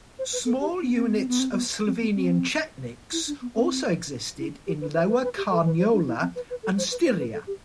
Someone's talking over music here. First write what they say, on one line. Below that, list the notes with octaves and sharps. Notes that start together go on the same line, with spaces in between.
Small units of Slovenian Chetniks also existed in Lower Carniola and Styria.
C5
B4
A4
G4
B3
C4
B3
C4
B3
C4
B3
C4
B3
C4
E4
D4
B3
C4
E4
G4
B4
C5
B4
B4
G4
A4
B4
C5
D4
E4
C4
B4
B4
A4
C5
B4
C5
B4
A4
G4